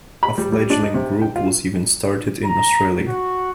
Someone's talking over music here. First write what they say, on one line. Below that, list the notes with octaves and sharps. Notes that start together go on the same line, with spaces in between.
A fledgling group was even started in Australia.
B5
G3
G3
D4
D#4
C3
G5
F4
A#5
F#4